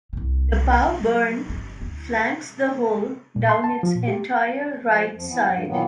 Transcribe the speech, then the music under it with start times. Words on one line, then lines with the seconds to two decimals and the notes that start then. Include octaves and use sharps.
The Pow Burn flanks the hole down its entire right side.
0.13 C2 C3
0.82 C2
1.00 F#3
1.50 G1 C#4
1.81 D2 E4
3.36 A#2
3.49 C6
3.64 A5
3.83 F3
3.95 A#2
4.08 G4
4.87 F3
5.12 F2 F3
5.26 E3 B3
5.49 G2
5.67 A#2 D#3 E3 F#3 A#3 B3